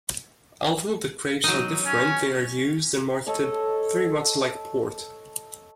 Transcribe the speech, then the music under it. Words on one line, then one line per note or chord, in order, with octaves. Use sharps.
Although the grapes are different, they are used and marketed very much like port.
F#3 D#4
C#4
A4 C#5 D#5